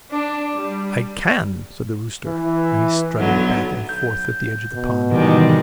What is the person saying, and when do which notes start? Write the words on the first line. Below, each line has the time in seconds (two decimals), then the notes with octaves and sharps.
"I can," said the rooster, and he strutted back and forth at the edge of the pond.
0.13 D4
0.55 G3
2.26 E3
3.18 B1 D3 F#3 B3
3.89 G6
4.73 B2
5.09 A2 C3 D#3 E3 G3 G#3